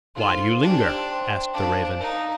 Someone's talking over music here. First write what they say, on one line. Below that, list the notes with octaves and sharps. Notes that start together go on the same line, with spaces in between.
"Why do you linger?" asked the raven.
D#4 F4 A4 C5 F5 C6
D4 G4 C5 G5 C6
C5 G5 C6
D4 C5 F5 A5 D6
D#4 A#4 F5 A#5